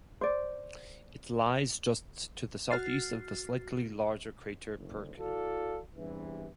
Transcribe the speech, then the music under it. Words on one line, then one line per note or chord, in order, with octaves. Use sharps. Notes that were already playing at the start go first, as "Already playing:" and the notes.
It lies just to the southeast of the slightly larger crater Perkin.
C5 D5
F#4 F6 A6 C7
F#1 D2
E4 F#4 A4 D5 F5
E2 G2 C3 E3